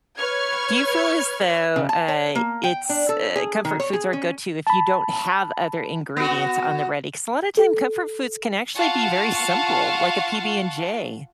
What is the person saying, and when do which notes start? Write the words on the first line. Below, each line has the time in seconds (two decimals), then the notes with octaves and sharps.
do you feel as though, uh, it's, uh, comfort foods are a go to if you don't have other ingredients on the ready? 'Cause a lot of time comfort foods can actually be very simple, like a PB and J.
0.18 B4 C#5 C#6 F6 G#6
1.76 C#3
1.89 A5
2.08 C#5
2.35 A#3
2.64 G5
2.89 D4
3.09 A4
3.36 G#4
3.65 D#3
3.80 C#5
3.93 G#4
4.13 C#4
4.67 A5 B5
6.17 B3 F#4
7.57 A4
8.76 F4 F5 F#5 A5 C#6